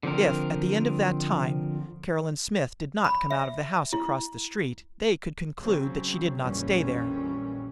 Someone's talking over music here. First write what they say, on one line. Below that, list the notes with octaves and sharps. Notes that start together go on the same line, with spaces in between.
If, at the end of that time, Caroline Smith did not come out of the house across the street they could conclude that she did not stay there.
D3 F3 C4 A#4
B5
E5
E4
C#3 F#3 C4
A#1 F2 A#2 E3 G3 C#4